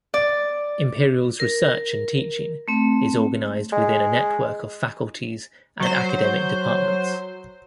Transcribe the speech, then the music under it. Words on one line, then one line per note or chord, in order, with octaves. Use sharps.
Imperial's research and teaching is organised within a network of faculties and academic departments.
D5
A#4
A3 C4
G#3
F#3 C5